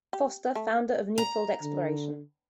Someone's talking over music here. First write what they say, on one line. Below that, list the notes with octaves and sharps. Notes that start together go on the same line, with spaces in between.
Foster, founder of Newfield Exploration.
G4
A3
A#5
D3